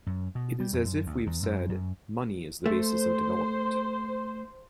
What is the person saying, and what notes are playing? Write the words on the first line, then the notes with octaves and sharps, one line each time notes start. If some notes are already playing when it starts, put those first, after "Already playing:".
It is as if we have said, Money is the basis of development.
F#2
B2
G3
F2
F#2
D2
E2
F#2
F#2
A3 C5